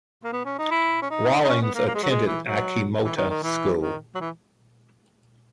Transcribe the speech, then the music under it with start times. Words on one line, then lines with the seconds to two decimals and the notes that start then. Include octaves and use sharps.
Rawlings attended Achimota School.
0.24 A#3
0.33 B3
0.45 C#4
0.59 D#4
0.71 E4
1.02 C#4
1.10 D#4
1.45 D#4
1.49 C#4
1.61 B3
1.75 A#3
1.87 A#3
1.95 G#3
2.03 F#3
2.10 G#3
2.26 E3
2.45 F#3
3.05 E3
3.17 D#3
3.30 D#3
3.43 E3
3.82 D#3
4.15 F#3
4.20 E3